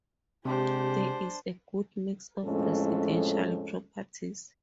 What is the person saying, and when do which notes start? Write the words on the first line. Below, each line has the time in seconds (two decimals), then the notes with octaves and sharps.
There is a good mix of residential properties.
0.45 C3 G#3 D4 G4 C5
2.46 F2 A2 G#3 C#4 A4